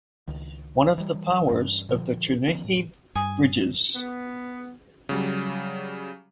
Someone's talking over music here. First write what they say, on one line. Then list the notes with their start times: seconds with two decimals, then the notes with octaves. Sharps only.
One of the powers of the Chernihiv bridges.
0.28 C#2 D#3
0.98 E3 G3
1.48 G2 E3 G3 C#4
1.89 A#2 D3 F3
2.48 D#3 F3 B3 C#4
2.65 A2
3.15 G2 G#5 D#6
3.95 B3
5.09 C#3 F#3 G3